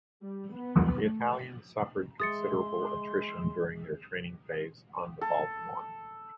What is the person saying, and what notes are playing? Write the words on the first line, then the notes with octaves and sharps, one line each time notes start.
The Italians suffered considerable attrition during their training phase on the Baltimore.
G3
B3
A3
G#3 G#4 E5 C6 D#6 A6 C#7
A4